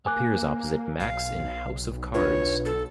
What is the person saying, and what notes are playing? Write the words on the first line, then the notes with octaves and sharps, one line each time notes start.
Appears opposite Max in "House of Cards".
A#3 G#5 D6 F#6
B1 F5
D4 F4 B4 C#5
A4